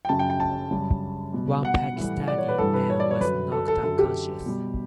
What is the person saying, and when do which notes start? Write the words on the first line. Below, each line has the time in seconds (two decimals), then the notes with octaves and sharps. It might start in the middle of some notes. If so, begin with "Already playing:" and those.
One Pakistani man was knocked unconscious.
0.05 G5
0.09 F#2 C#3 F#3 A5
0.19 G5
0.30 G5
0.40 A5
0.71 F#2 C#3 G3
1.33 B2 G3
1.65 F#5
1.96 A2 E3 G3
2.28 D5
2.38 C#5
2.48 B4
2.58 G2 E3 G3 A4
2.74 B4
2.90 C#5
3.00 D5
3.11 C#5
3.20 F#2 D3 F#3 B4
3.52 A4
3.68 A4
3.83 F#2 D3 F#3 A4
3.99 G4
4.46 B2 G3